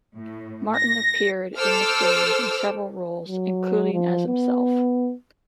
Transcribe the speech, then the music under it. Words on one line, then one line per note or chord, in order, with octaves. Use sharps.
Martin appeared in the series in several roles, including as himself.
A2
A#6
A4 C5 D6 E6 F6
F#3
F3
B3